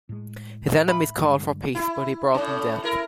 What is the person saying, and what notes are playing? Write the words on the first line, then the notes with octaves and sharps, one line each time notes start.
His enemies called for peace, but he brought them death.
A2 G#3
E5 B5
G2 D3 G#3
E4
A2 C#4
E4 A#4